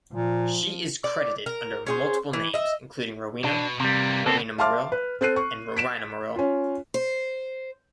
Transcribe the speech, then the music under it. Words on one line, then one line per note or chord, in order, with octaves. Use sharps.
She is credited under multiple names, including Rowena, Rowena Morrill, and Rowina Morril.
A#2 F3
D5
A#4
C#4 G#4 C5
E3
D#5 E5
B2 D4
C3 E3 G3 A#3
C#3 B3 C4 A4
E5 F5 A5 C6 D6 F6
B4
C4 A4 F#6 C7 D#7
C#6
B6 D7 E7
C#4 F4
C5